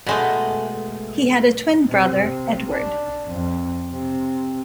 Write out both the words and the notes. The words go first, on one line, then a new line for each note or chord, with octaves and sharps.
He had a twin brother, Edward.
B2 G#3 A3
C3
D4
F2
C3